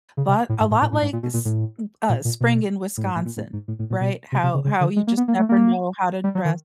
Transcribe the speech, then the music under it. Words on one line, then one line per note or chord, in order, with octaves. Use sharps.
but a lot like s m uh, spring in Wisconsin, right? How how you just never know how to dress,
C#3
C3
A2
G#2
A2
A2
A2
G#2
A#2
B2
A#2
A2
A#2
A#2
B2
A2
G#2
A2
A#2
A2
G#2
A2
A2
A#2
B2
C3
C3
C#3
C#3
D3
G#3
A#3
B3
A#3
A3
A#3
G3
F#3
D#3